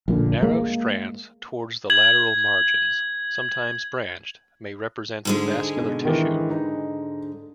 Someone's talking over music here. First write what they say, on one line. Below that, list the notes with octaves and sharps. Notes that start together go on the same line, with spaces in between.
Narrow strands towards the lateral margins, sometimes branched, may represent vascular tissue.
A#1 A#2 D3
G#3 A#3
G#6 F#7
G#2 D3 G#3
B2
D#3 E3
D#4